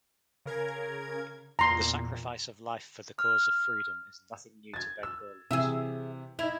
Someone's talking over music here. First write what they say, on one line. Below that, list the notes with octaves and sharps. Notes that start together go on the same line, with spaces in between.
The sacrifice of life for the cause of freedom is nothing new to Bengalis.
C#3 A#4 G#6
E2 A#2 A#5 C6
F6
G#6 A6
E6
C3 E3 G#4 E5
D#4 E4 F7